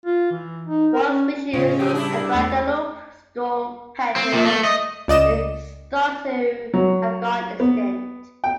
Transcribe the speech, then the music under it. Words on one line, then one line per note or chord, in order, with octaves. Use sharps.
One species, the Guadalupe storm petrel, is thought to have gone extinct.
F4
E3
D#4
A#4
C#4
A2 C#3 G#3 C#4 F4
F2 F3 F#3 G4
G3 D4 E4 G#4
E2 A3 D6
C4
A#2
A3
D#5
C#2 D5 D#5 E7
F#3
B3
G5